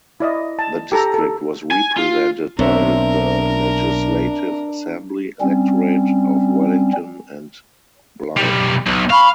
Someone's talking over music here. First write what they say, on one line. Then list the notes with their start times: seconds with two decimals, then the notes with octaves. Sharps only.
The district was represented by the Legislative Assembly electorate of Wellington and Bligh.
0.20 E4 D5 D#5
0.59 A5
0.92 G4 A4 A#5
1.14 A4
1.71 G#5
1.97 F4
2.59 B1 C4 D4 A#4 C#5 E5
5.41 G3 C4 C#4
8.36 B1 G3
8.86 B1
9.10 F5 B5 C#6